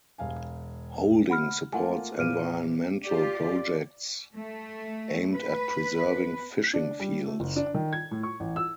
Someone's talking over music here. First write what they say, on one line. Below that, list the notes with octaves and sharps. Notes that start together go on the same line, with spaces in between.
Holding supports environmental projects aimed at preserving fishing fields.
E1 F5 G#5
F#5 B5 F6
A3 A#3 F4 F#5 G#5
A#2 F3 B3 F6 D7 D#7
F4 G4 D5
A3
B4
D4
G3
A3
F#1
D4
D#3
G#6
A2
C#6
A1
E6